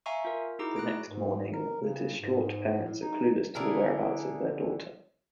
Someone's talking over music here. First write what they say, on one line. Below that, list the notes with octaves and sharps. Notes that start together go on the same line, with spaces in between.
The next morning, the distraught parents are clueless to the whereabouts of their daughter.
E5 F5 G#5 A#5 C#6
F4 A#4
D#4 E4 F#4 G#4 A#5 D6
A3 F#6 A#6 D7
G#2
A#4
C#3
G#2
A2
D#4
D3 E4 G#4 A#4